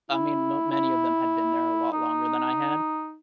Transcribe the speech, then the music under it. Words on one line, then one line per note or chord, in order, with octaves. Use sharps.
I mean, not many of them had been there a lot longer than I had.
E4
E4
D#4